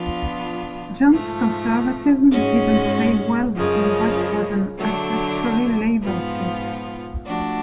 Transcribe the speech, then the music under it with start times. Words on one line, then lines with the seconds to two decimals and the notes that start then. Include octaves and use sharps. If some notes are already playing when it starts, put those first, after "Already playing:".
Jones' conservatism didn't play well in what was an ancestrally Labor seat.
Already playing: F3 B3 D4 F4
1.08 G#2 F3 A3
2.32 G#2 G#3 C#4 F#4
3.55 F#2 C#3 F3 G#3
4.77 D3 F#3 A3 D4
6.01 G#2 F3 B3 F4
7.24 F3 A3 D4 F#4